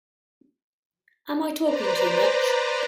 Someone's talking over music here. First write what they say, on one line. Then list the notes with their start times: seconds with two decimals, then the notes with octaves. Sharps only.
Am I talking too much?
1.60 B4 C5 D5 A#5